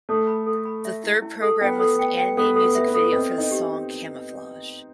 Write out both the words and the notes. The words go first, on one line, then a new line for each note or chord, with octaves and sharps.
The third programme was an animated music video for the song "Camouflage".
A3 A4
B5
A4
B5
E5
E4
E4
A4
B3 G5
A4
G5
G5
B3 A4
A4
B3
E5
B3
A4
C4 D#5
D#5
D#4
G4